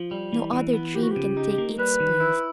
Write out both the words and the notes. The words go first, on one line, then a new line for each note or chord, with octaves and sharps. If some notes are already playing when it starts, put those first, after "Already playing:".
No other dream can take its place.
Already playing: F3
G3
E3
E3
B3
F3 G4
F#4
G4
C#3
D#4
A#3
G3 B4
D#3
E4